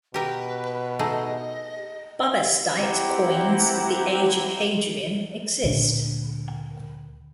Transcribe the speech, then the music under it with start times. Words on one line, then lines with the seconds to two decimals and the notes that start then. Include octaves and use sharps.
Bubastite coins of the age of Hadrian exist.
0.14 B2 G4 A#4 B4 G5
0.99 A3 D#4 G#4 D#5
2.74 C4 E4 G4 F#5 G5 A#5
5.64 D2 A#2 D4